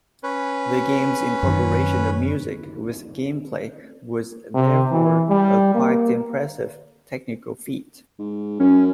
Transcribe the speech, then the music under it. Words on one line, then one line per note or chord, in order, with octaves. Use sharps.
The game's incorporation of music with gameplay was therefore a quite impressive technical feat.
C#4 B4
F#2 D#3
C3
E3
G3
A#3
G#2
F#2 C#4